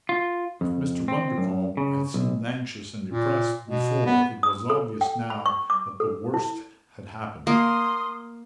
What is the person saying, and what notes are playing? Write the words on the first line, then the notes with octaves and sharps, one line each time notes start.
If Mr. Bundercombe had seemed anxious and depressed before it was obvious now that the worst had happened.
F4
F2
C4
F#2
C#3
B1
A#2
B2
B3
D#6
A4
G5
B5
C#6
D6
A4
E4
A#3 C6 D#6